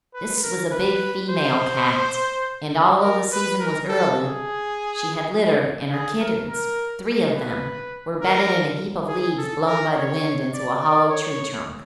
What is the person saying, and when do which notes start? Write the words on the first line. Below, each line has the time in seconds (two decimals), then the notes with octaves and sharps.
This was a big female cat, and, although the season was early, she had littered and her kittens, three of them, were bedded in a heap of leaves blown by the wind into a hollow tree trunk.
0.14 B4
0.43 A#4
0.71 B4
1.30 C5
3.03 A#4
3.32 B4
3.60 A#4
3.89 A4
4.18 G#4
5.92 G#4
6.20 A#4
6.48 A#4
7.36 B4
8.22 A#4
9.08 G#4
9.37 A4
9.66 A#4
9.95 C#5
10.53 D5
10.82 D5
11.10 C#5